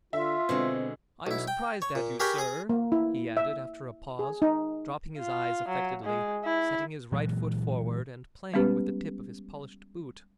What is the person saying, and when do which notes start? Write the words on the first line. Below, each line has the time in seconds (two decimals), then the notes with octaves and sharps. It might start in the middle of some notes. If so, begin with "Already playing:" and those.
"I am surprised at you, sir," he added, after a pause, dropping his eyes affectedly, setting his right foot forward, and playing with the tip of his polished boot.
0.13 D3 F4 E5
0.49 B2 D3 G#3 C4
1.27 B1 E4
1.48 G5
1.82 C#5
1.95 A#2
2.20 G4 G#4 A#4 B4 C#5 G5
2.38 G#4 D#6
2.69 A#3
2.92 E4
3.37 E5
4.19 G#4
4.42 D#4
5.18 F4
5.68 F#3
6.04 G#3
6.45 E4
7.12 A#2 E3 F#3 G#3
8.54 G3 G#3 B3 C#4 G4 B4